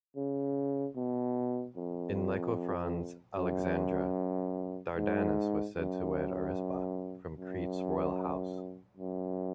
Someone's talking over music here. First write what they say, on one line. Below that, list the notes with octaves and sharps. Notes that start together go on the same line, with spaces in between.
In Lycophron's Alexandra, Dardanus was said to wed Arisba from "Crete's royal house".
C#3
B2
F2
F#2
G#2
F#2
F#2
F#2